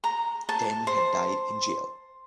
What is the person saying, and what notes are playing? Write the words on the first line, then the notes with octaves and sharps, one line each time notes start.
Ten had died in jail.
A#5
A5
C5